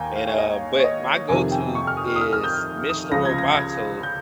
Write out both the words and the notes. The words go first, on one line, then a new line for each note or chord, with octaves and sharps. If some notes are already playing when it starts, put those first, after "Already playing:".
And, uh, but my go-to is “Mister Roboto”
Already playing: D#2 G5 G#5 A#5
F5
C#5
D#5
C#5
D#5
F2 C3 D#3 G#5
G5
C#6
F6
D#6
D#6
F6
F6
G6
D#6
C#2 C#3 F3 A#6
G#6
A#6
A#6
G#6
G6